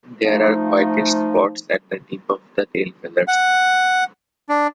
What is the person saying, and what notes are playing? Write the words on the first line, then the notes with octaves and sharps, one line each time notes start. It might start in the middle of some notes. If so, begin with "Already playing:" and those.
There are whitish spots at the tip of the tail feathers.
F3 A3 D#4
F#5
D4